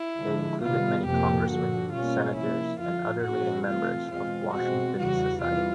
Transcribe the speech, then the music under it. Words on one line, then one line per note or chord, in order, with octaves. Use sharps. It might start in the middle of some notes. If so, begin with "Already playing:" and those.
They included many congressmen, senators, and other leading members of Washington society.
Already playing: E4
D3 F3 G#3
C3 D#3 G3 B3 F4
F2 C3 F3 A#3 G4
G2 D3 F3 F#4
B2 G3 A#3 C#4 F4
C3 F3 A#3 E4
F2 D3 F3 F4
A#2 F3 A#3 C#4 F#4
C3 E3 A3 C4 F4
E2 B2 G#3 C4 F4
B2 G#3 C4 F#4
E2 C#3 E3 G3 F#4
C3 E3 G3 F4